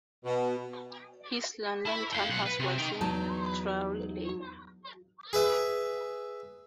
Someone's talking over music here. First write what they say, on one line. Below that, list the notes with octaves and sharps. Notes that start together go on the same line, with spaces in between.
His London townhouse was in Drury Lane.
B2
E4
F5 G5
B1 F#5
B4
C3
D#4 G5
E2 F#3 D#4 A5
G#4 B4 E5